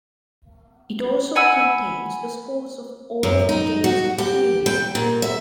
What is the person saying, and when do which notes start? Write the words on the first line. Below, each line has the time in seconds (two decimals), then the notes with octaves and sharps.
It also contains the scores of all of the games in the series.
1.35 F#5 G#5 B5 E6
3.23 F#2
3.49 D#4
3.84 F#4
4.18 G4
4.66 G5
4.95 A#2
5.22 E5